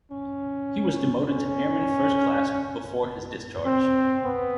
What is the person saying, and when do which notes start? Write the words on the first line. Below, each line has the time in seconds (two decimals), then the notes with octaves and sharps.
He was demoted to Airman First Class before his discharge.
0.12 C#4
1.30 C#4
3.66 C4
4.25 B3